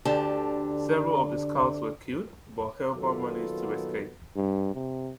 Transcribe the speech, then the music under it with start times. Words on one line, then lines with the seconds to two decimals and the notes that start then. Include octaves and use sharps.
Several of the scouts were killed, but Helmer managed to escape.
0.05 D2 D3 G4 A5
2.93 A#2 D#3 F#3 B3 F4 A4
4.37 G2
4.75 C3